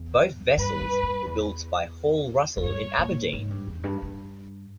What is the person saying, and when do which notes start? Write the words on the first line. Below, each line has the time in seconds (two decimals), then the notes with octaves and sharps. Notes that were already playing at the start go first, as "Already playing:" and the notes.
Both vessels were built by Hall Russell in Aberdeen.
Already playing: E2
0.57 G2 B4
0.81 G2
1.03 G2
1.26 E2
2.57 E2
2.63 G2 C#5
2.98 A#2
3.33 G#2
3.50 G2
3.67 E2
3.84 G2
4.02 G2